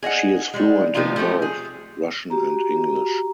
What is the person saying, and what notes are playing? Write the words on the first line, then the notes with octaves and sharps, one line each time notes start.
She is fluent in both Russian and English.
G#4 D#5 E5 F#5
G3 G#3
C3 F3 G3 B3 D#4 F4
F3 G#3 A3 C4 G4
G#4
F#4 G4 A#5